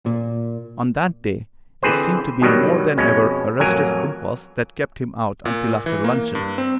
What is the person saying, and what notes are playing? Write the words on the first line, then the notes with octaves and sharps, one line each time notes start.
On that day it seemed to be more than ever a resistless impulse that kept him out until after luncheon.
A#2
D3 E3 C4 G#4 B4 C5
G2 B2 D#3 F#3 G3
F2 B2 G#3 C#4
A1 F2 F#3 A#4 G#5
A#2
E3
A#3
G2
C4